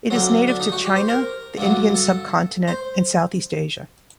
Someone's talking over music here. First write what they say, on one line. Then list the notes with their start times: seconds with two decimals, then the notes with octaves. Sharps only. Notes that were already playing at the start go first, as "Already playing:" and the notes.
It is native to China, the Indian Subcontinent, and Southeast Asia.
0.10 D2 D3 F#3 C4
0.48 D4
0.60 D#4
0.72 F#4
0.84 G4
0.96 C5
1.08 A#4
1.58 G2 D3 F#3
1.94 A4
2.68 C5